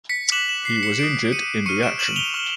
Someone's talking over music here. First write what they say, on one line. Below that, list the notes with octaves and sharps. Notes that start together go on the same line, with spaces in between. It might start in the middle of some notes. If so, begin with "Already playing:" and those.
He was injured in the action.
B6 C#7
D6 F#6 E7 F#7
E7 F#7
C7
B6 C#7
D#6 G6 C7 D7
D7
C#7 D#7
C#6 F6 C#7 D#7
D7 E7
E7 F#7
F7 G7
C#6 F6